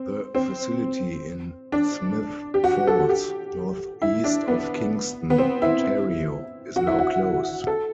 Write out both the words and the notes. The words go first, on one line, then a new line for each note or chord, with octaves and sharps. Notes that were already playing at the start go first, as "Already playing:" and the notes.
The facility in Smith Falls, north-east of Kingston, Ontario is now closed.
Already playing: C4
C4
D4
G4
F#4
A4
G4
E4
D4
B3
B3
C4
E4
F#4
E4
F#4
A4